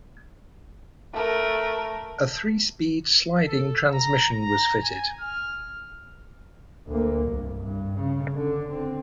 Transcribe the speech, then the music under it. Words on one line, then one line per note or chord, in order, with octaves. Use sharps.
A three-speed sliding transmission was fitted.
A3 A#4
A4
A#5
A#5
G#5
F6
D2 A#3
C2 G2
G2
C#3
D3 D4
D3 C4